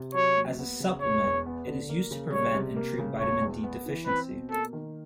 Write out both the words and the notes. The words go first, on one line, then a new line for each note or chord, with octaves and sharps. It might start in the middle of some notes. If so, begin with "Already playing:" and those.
As a supplement it is used to prevent and treat vitamin D deficiency.
Already playing: C3
F#3 C#5
D#2
B3
C#3
E1 C#5
E2
B3
D3
A#3
C#3
G3 C#5
C3
A#3
C#3
E1 C#5
E2
B3
E3
C4 B4
B2
A#3 A4
D#3